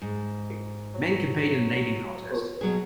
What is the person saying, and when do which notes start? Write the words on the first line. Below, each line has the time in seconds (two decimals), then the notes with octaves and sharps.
Men compete in an eating contest.
0.02 G#2
0.94 F#3
2.61 B2 F#3 G#4